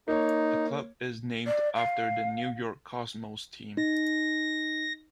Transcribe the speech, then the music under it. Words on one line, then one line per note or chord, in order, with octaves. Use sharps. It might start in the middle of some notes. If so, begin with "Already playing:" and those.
The club is named after the New York Cosmos team.
A#3 D#4 C#5
D5
F5
D#4 A#6